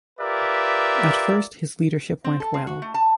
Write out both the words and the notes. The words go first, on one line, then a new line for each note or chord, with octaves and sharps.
At first his leadership went well.
F4 G4 A#4 B4 D5 E5
C4
A4
C4
F#4
A3
A5